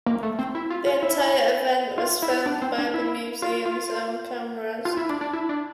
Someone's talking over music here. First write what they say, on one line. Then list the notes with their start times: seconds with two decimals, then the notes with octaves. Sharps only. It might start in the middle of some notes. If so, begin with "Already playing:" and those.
The entire event was filmed by the museum's own cameras.
0.06 A#3
0.23 A3
0.39 C4
0.55 E4
0.70 F4
0.86 F4
1.02 E4
1.98 F4
2.22 E4
2.46 D4
2.62 C4
2.78 D4
2.94 E4
3.42 F4
3.66 F4
4.85 F4
4.97 E4
5.09 D4
5.21 D4
5.33 E4
5.49 D4